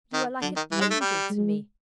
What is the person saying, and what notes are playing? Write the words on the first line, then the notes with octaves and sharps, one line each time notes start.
You are like an angel to me.
D#3
D3 F#3
D#3
E3 G3
G#3
A3
G3
G#3